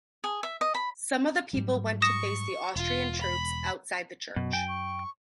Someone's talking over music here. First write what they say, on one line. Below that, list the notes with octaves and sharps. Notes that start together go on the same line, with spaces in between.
Some of the people went to face the Austrian troops outside the church.
G#4
E5
D#5
B5
G#2 F#3 G3
C#6 D#6 A#6 E7
E1 F4
B5
F#2 B2
G5 G#5
C#6